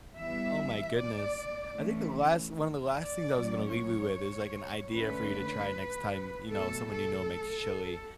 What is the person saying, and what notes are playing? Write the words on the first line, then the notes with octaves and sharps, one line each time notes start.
Oh my goodness. I think the last one of the last things I was gonna leave you with is, like, an idea for you to try next time, you know, someone you know makes chili,
E3 G3 B3 E5
D5
E3 A3 C#4
D5
A2 F#3 C#4
C#5
D3 A3 C#4 B4
B2 F#3 A3 A4
A4